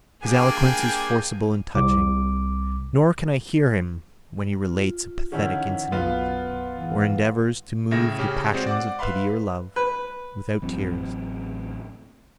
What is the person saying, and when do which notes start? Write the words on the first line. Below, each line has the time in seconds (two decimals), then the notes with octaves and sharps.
His eloquence is forcible and touching; nor can I hear him, when he relates a pathetic incident or endeavours to move the passions of pity or love, without tears.
0.23 G3 A#3 D4 G#4 G5 G#5
1.75 C2 D6
4.62 F4
5.32 D3 D#3 F3 C#4 E4 F#5
5.92 B1 F#2 B3 F4
6.76 G#2 E3
7.91 A2 C#3 E5 A#6
8.19 C#3 C#4 G4
8.54 G#3 C4 F#4 G#4 C5 D5
8.67 D5 F#5 D6
8.99 B4 E5 F5 B5 C6
9.76 B4
10.62 A1 F#3 C4